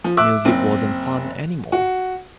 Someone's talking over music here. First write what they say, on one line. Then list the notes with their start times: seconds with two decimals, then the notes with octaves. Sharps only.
Music wasn't fun any more.
0.04 F3
0.17 E5 D6 E6 F#6
0.45 F#1 C4
1.72 F#4